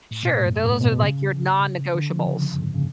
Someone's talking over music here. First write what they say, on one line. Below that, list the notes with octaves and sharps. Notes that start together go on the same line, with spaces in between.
Sure, those are, like, your non-negotiables
A2
B2
A2
F#2
G#2
A2
B2
B2
C#3
D3
F3
C#3
F#2
G#2
C#3